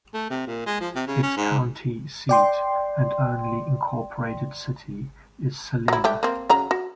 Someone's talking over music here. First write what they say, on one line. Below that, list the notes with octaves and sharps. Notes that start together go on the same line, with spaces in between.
Its county seat and only incorporated city is Celina.
A3
C3
A#2
G#3
F3
C3
C#3
C#4
G#2
D5 G5 C6
F#3 E4
G3 A3 G4
A#3 C4
C#3 F#3 A#5
F#4